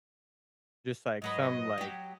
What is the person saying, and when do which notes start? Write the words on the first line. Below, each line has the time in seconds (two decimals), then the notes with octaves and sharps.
just, like, some, like,
1.22 G#2 F#3 B4 D#5
1.78 F#3 G4